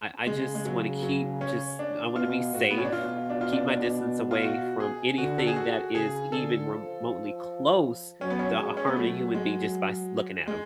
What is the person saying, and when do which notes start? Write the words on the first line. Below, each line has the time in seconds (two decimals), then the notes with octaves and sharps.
I I just wanna keep, just I wanna be safe, keep my distance away from anything that is even remotely close to harming human being just by s looking at ‘em.
0.27 C#3 G#3
0.55 G#3
0.65 F#3
1.03 F#3
1.41 C#4
1.79 D4
2.16 B2 F4
2.54 A2 F#4
2.70 B3
2.78 C#4
2.85 D4
2.92 B2 F4
3.30 D4
3.41 F4
3.52 D4
3.68 D4
4.31 F4
4.42 F#4
4.80 G#4
5.18 D3 F#4
5.38 A4
5.47 G#4
5.56 F#4
5.95 C#3 G#4
6.32 D3 A4
6.70 F3
8.21 F#3 C#4
8.30 B3
8.39 C#4
8.59 G#3
8.77 C#4
8.87 B3
8.96 F#3 A3
9.35 G#3
10.48 G#3